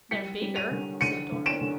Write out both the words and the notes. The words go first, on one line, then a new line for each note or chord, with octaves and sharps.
"They're bigger," said Dora.
G3 B6 C#7
G3
D#7 F7
D3
D3 C#7 D#7
D3
D7 E7
D3